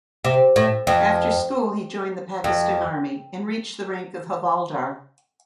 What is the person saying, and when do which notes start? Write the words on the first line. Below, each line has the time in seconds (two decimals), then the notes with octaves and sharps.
After school he joined the Pakistan Army, and reached the rank of Havaldar.
0.24 C3
0.56 A2
0.87 F2
2.44 F2